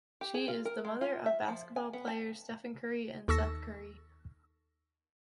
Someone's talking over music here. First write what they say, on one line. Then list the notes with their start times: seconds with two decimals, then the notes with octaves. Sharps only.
She is the mother of basketball players Stephen Curry and Seth Curry.
0.21 G4
0.34 G#4
0.48 F4
0.65 A#4
0.85 G#3
1.01 F4
1.26 E5
1.48 F3
1.76 G#5
1.93 B3
2.08 A5
3.28 D#2 A4 C#6 E6 A#6